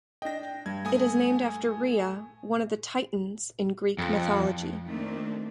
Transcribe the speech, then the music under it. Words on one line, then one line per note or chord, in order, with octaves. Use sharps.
It is named after Rhea, one of the Titans in Greek mythology.
D4 D#5 G5 A#6
G2 G#6
A3 G#5 D#6
F2
D#3 A3 A#3 C4 D4 F4